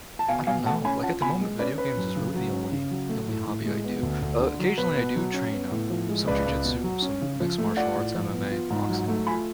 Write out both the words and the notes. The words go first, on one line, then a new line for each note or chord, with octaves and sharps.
I don't know. Like, at the moment, video games is really the only the only hobby I do. Uh, occasionally I do train, um, some jujitsu, some mixed martial arts, MMA, boxing,
A5
B2 F5 G#5
B2 F5 G#5
A3 F#5 A5
C#4 G#5 B5
F4 F#5 A5
B2 G#5 B5
G#3
C#4 B4 D5
C#4 B4
F#2
C#3
F#3
C#4
C#3
F#3
A3
A2
A2
G#3
B3
D2
D2
D3
F#3
B2 B4
B2
F#3
C#4
B3
A2
F3
G#3
C#2 B4 D5
C#2
B2
F#3
C#4
C#3
F3
A3
F4 D5 F#5
A2
F3
B3
F4
G#2
F#3
A3
F4 G#5 B5